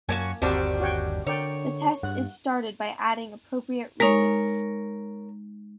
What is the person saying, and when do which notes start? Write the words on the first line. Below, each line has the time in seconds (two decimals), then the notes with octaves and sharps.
The test is started by adding appropriate reagents.
0.09 F#2 A#3 C#4 D4 F#4 G#5 A5
0.42 G1 D#2 D#3 G3 C4 D4 F#4 A5
0.80 F#4 C#5 G5
1.27 D3 A#4 C#5 D5 G5
2.03 G2 F#5
4.00 G#3 D#4 A#4 C#5